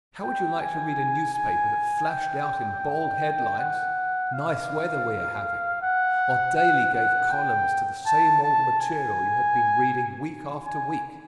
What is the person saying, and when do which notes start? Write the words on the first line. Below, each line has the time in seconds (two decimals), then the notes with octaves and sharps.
How would you like to read a newspaper that flashed out in bold headlines "Nice Weather We Are Having," or daily gave columns to the same old material you had been reading week after week?
0.23 G5
0.60 G#5
1.35 G#5
2.10 G5
3.59 F#5
4.33 F5
5.82 F#5
6.57 F#5
6.94 F#5
7.31 G5
8.06 A5
8.43 A5
8.80 G#5
10.67 G#5